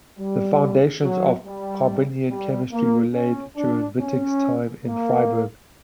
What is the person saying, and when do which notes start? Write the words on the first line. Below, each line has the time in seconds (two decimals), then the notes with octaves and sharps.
The foundations of carbanion chemistry were laid during Wittig's time in Freiburg.
0.18 G3
1.02 F#3
1.45 G3
2.30 G3
2.72 A#3
3.14 C#4
3.56 D4
3.99 C#4
4.84 A#3